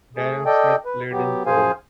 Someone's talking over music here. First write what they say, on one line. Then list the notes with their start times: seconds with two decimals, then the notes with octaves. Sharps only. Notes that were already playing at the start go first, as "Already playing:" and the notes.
Darren Smith played in the Proles.
0.16 A3 G#4
0.46 A4 D5 D#5 G5
0.85 B4
1.12 F#3 B3 G4
1.46 F#2 F3 G#4 C5 F5 G#5